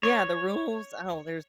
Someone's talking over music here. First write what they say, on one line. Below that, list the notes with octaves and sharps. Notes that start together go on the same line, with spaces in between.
Yeah, the rules? Oh, there's
C#5